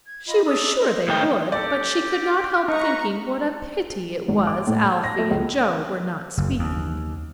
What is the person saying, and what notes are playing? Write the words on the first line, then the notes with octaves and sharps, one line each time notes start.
She was sure they would but she could not help thinking what a pity it was Alphy and Joe were not speaking.
G#6
F4 D#5 B5
D4 D#6 E6
C5 D#5
A2 D#3 A#4 D#5 G5 D#6
G4 A4 D5
D#4 B4 A#5 C#6
G#1
D6
A2
A5
A#6
A3
C#2
F#1
D#2